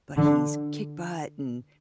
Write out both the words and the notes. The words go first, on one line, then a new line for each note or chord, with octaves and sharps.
but he's kick butt and,
D3